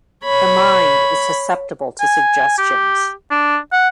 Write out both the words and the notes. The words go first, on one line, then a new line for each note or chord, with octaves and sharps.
The mind is susceptible to suggestions.
C#5 B5
G#5
G4
D4
F#5